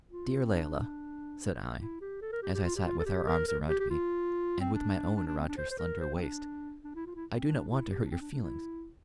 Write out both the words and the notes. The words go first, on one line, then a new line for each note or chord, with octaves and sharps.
"Dear Layelah," said I, as I sat with her arms around me, and with my own around her slender waist, "I do not want to hurt your feelings."
F4
C4
D4
E4
G4
A4
A#4
G4
G4
F4
G4
F4
A4
G4
A#4
A#4
G4
G4
F4
C4
D4
D4
D4
C4
D4
C5
C5
A#4
C5
C4
D4
D4
E4
F4
E4
C4
D4
E4
G4
D4
C4
D4
D4
E4